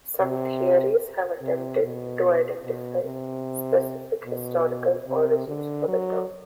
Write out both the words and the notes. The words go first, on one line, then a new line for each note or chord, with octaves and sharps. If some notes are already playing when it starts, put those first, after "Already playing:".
Some theories have attempted to identify specific historical origins for the term.
C3
C3
B2
B2
C3
B2
C3
D3
F#3